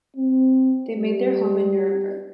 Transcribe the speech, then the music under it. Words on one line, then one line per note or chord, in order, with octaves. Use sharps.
They made their home in Nuremberg.
C4
G3